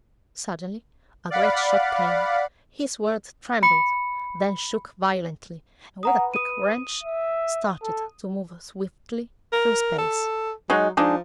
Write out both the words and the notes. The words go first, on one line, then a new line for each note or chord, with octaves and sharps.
Suddenly a great shock came: his World trembled, then shook violently, and, with a quick wrench, started to move swiftly through space.
D5 F5 F#5 B5
B5 C#7
B4 F#5 A#5 D#6
D#6 D#7
E5
A4
A#4
A4
F#3 G#3 D#4 F#4
F3 G#3 D4 D#4